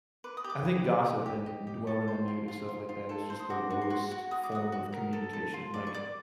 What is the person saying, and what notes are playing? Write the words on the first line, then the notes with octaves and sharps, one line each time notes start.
I think gossip and dwelling on negative stuff like that is just the lowest form of communication. Like,
B4 D6
D#6
G4
D6
B4
B4
G4
G4
D#5
G4
A4 C#6
C5
F4
F4
F4
F4
A4
C5
D#6
F#4 D6
F#4
C6
F#4 C#6
F#4
F#4 D#6
D6
F#4 D#6
F#4
A#4
A4
A4
F4
D5
C#6
D5 D6